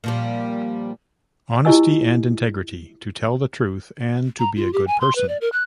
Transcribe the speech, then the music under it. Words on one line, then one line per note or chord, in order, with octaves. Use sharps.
Honesty and Integrity: To tell the truth and be a good person.
A#2 F3 G3
E4 F4 G4 D#5 G#5 E6
A#5
F4
G4
G#5
C6
B4
D5
A#4
F#6